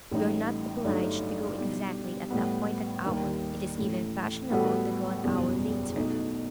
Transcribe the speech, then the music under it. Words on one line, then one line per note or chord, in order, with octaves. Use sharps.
We are not obliged to go exactly at the appointed hour; it is even fashionable to go an hour later.
A1 A2 G3 D#4
G1 G2 F#3 A3 D#4
B2 G3 D#4 G4
A2 G3 B3
D#2 D#3 G3
A1 A2 E3 A3
A2 G3 B3 F#4 A4
F#1 E2 B2 G3
B1 B2 A3 D#4